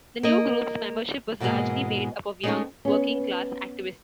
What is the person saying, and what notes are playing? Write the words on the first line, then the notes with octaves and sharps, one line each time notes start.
The new group's membership was largely made up of young, working class activists.
A#3 D#5
G#2 B2 E3 F#3 G#3 A#3
G#3 A3 C#4 D#4 G#4 C#5
B3 C#4